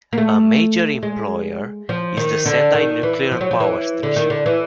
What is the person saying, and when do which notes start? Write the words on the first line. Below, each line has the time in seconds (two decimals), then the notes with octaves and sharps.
A major employer is the Sendai nuclear power station.
0.13 A#3
0.18 A3
1.03 G#3
1.89 F3
2.17 D#3
2.46 D3
2.74 D#3
3.03 E3
3.32 F3
3.41 F#3
3.51 F3
3.60 E3
4.03 D3
4.16 D#3
4.30 D3
4.46 E3